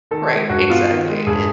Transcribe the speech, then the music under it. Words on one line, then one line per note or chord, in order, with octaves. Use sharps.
Right. Exactly. It,
D#3 A4
G#3
G2 F#4
B3 F4
D#3
G#3
G2 G#4